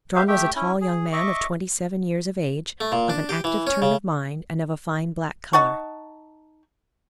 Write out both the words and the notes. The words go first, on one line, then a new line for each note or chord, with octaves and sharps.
John was a tall young man, of twenty-seven years of age, of an active turn of mind and of a fine black color.
G4 C5 E5 F5
A3 G4 E5 G5
C#4 E4
G#4
D#5 E5 C#6 D6
A3
A#2
D4
G4
E3
C#4
C#3
D#4 F#5 A5 C#6